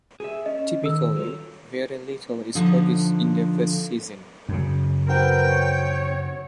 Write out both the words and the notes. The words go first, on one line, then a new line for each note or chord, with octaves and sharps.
Typically, very little is produced in the first season.
G#4 E5
C#4 D#5
D#3 A4 E6
F#3 F4 C#5
D3 F3 D#4
F#2 C#3
C4 F#4 A#4 B4 G5
C#5